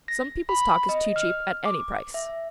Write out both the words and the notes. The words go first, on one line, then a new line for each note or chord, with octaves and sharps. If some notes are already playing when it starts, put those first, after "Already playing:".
Some people's talk is too cheap at any price.
A#6
B5
D#5
F6
D6
E5